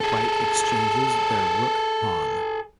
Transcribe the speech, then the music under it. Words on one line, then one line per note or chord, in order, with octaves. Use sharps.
White exchanges their rook pawn.
G#4 A4